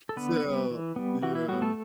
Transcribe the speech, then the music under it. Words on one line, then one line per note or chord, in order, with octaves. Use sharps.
So, yeah.
A4
D3 B3 B4
G3 B3
E3
G3 B3
E3 F#4
E4
G3 B3 F#4
A3 A4